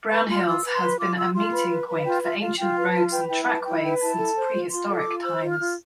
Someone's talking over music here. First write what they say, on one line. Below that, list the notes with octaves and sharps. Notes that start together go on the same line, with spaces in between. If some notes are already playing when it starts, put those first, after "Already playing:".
Brownhills has been a meeting point for ancient roads and trackways since prehistoric times.
B4 B5
F4 C6
F6
F4 E6
B4
C6
B4
F4 D6
F4 E6
F4 C6
B4 B5
B4
B4
F5
F4 G5
F4 E5
F4 F5
F4 G5
B4
A5
F4
B4 G5
E4 G5
B4 A5
E4 G5
B4 G5
E4 A5
A4
C5
F4
F4 C6
A4
D6
F4
C5 E6
F4
F6
F4